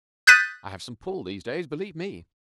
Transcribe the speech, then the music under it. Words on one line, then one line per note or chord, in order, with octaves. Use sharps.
I have some pull these days, believe me.
D#6 F#6 G6 A6 B6 D#7